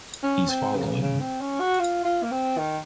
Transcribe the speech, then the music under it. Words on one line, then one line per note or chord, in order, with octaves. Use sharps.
He’s following.
C#4
C4
C#3
C#3
C4
C#4
F#4
F4
F4
A#3
C4
D#3